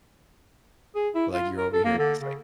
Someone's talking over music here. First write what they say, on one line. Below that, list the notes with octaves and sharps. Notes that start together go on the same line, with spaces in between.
Like, you're over here just, like,
G#4
E4
F4
A#4
A4
A#3
D3
C#3